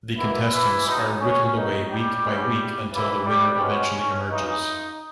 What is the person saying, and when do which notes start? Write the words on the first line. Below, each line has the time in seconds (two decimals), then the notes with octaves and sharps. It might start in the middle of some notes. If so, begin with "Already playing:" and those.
The contestants are whittled away week by week until the winner eventually emerges.
0.16 B2 E3 A#3 E4
0.51 E3 E4
0.85 E2 B2 G#3 B3 D#4
1.19 C#4
1.54 G2 D#3 A#3 D#4
1.88 G3 G4
2.23 E2 C#3 E3 G#3
2.91 G2 E3 G3 A#3 E4
3.25 G3 G4
3.60 B2 G#3 B3 C#4
4.29 C#3 E3 G#3 D#4